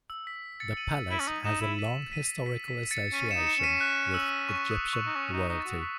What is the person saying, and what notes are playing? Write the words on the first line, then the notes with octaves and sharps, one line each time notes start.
The palace has a long historical association with Egyptian royalty.
E6
B6
A6 C#7
D#7 F#7
E4 D#7 F#7
C#4
D#4
D#4 C#7 E7
E4
B6 D#7
B6 D#7
B6
B6
A6 C#7
C#4 B6 D#7
C#7 E7
D#4
C#7 E7
C#4 B6 D#7
F#6
E6
C#6
D#6
C#6
D#4
C#4 D#6
D#4
D#4
A6
F#4
B6